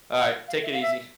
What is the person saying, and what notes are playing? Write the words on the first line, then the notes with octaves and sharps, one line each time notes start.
Alright, take it easy.
F5
E5
F5
E5